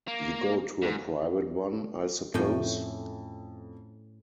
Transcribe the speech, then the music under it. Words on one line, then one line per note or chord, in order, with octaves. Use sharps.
You go to a private one, I suppose?
A#3
G#2
F2 A2 C#4 G5